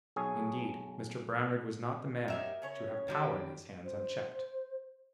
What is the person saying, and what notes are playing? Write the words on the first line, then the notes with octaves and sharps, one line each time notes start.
Indeed, Mr Brownrigg was not the man to have power in his hands unchecked.
B1 G#4 C#5 G#5
F#3 D#4 G4 A#4 E5
C#3 C#4 C#5
D#3 G3 G4
C5